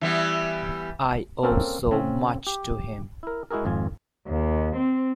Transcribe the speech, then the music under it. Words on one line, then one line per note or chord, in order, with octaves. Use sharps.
I owe so much to him.
E3 G3 B3
A#3 C4 C#4 A4 A#4 C5
C#3 C4 C#4
G4
E4 A#4
G#3 E4 F#4 G#4 A#4
G#1 F2 F4 G#5
D#2
C4